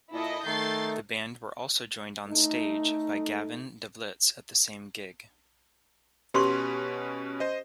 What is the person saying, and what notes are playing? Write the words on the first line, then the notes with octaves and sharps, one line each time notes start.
The band were also joined onstage by Gavin da Blitz at the same gig.
A#2 E4 A4 D#5
D#3 A3 G6 A6 C7
A3 D#4
B2 C#4 G4 B4 C6 C#6
C5 D#5